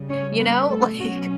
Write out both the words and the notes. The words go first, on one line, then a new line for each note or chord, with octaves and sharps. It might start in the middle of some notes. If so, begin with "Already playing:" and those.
You know, like
Already playing: C#3 G3
C#4 C#5
B3 B4
A3 A4
B2 F#3 C#4 F#4